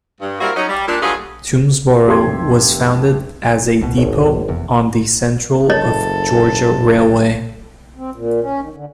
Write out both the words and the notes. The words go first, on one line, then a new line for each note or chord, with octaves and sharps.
Toomsboro was founded as a depot on the Central of Georgia Railway.
G2
G3 A#3 C4 E4 F#4 A#4
F#3 C#4 D#4
G3
A#2 D4
G2 F#3 A3 F4 G#4
F1 G4 A4 C6 G#6
D#1 C2 B2
G#1 C#5
F1 E2
F#1 A4 C#5 D#5
C4
A#2
C#4
D#3
D3